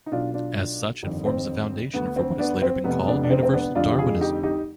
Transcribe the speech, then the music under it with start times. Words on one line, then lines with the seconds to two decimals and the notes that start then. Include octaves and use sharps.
As such, it forms a foundation for what has later been called universal Darwinism.
0.06 D#4
0.12 B1 B2 D4 F4
0.34 D4 F4
1.03 G1 F2 D#3
1.25 C4
1.93 D2 D3 B3
2.16 C4
2.39 B3 D4
2.62 C4
2.84 F1 F2 C3 B3
3.07 B3 D4
3.23 D4
3.30 C4
3.43 C4
3.53 B3 D4
3.75 F1 F2 D3 D4 F4
3.91 G4
3.98 F4 G#4
4.21 D#4 G4
4.43 D#4 G4